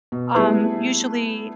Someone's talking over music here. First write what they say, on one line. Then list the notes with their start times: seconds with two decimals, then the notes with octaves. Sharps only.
um, usually
0.12 B2
0.35 G3 A3 B3 E4 G#4 B4